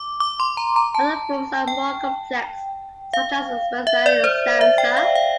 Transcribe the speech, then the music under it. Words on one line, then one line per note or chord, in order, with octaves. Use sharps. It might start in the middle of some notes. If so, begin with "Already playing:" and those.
Other forms are more complex, such as the Spenserian stanza.
Already playing: D6
D6
C6
A#5
A#5
A5
G5
F5
E5
D5
C5
E5
G5
F5
F5